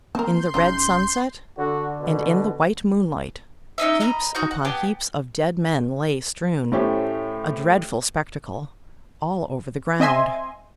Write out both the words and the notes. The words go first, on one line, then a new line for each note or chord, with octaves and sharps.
In the red sunset, and in the white moonlight, heaps upon heaps of dead men lay strewn, a dreadful spectacle, all over the ground.
A#3 C4 A#4 A5 C6 G6
E1 G#3 C#4 D#4 F4
D3 F#4
B2
C#4 D#4 D#5 E5
D#5 A#5 B5
D#4 F#4 G6
F#5
B3 G4 G#4 A5
A2 A3 C#4 G4 C5
C4 D#5 E5 G#5 C6